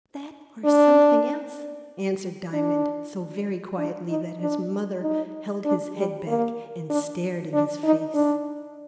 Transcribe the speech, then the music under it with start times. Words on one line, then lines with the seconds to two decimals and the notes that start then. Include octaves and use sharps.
"That or something else," answered Diamond, so very quietly that his mother held his head back and stared in his face.
0.65 D4
2.54 D4
3.78 D4
4.10 D#4
4.41 D4
5.03 D#4
5.66 D4
5.97 G3
6.28 A#3
6.90 D4
7.54 D4
7.84 D#4
8.15 D4